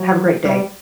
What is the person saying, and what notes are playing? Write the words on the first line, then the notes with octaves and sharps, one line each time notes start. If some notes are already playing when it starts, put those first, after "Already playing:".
have a great day.
Already playing: F#3
G3